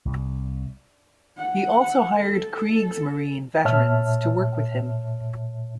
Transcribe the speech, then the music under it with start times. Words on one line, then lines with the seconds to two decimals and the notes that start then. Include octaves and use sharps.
He also hired Kriegsmarine veterans to work with him.
0.06 C2
1.37 F#5
2.18 A4
3.65 A#2 C#5 E5 A5 F6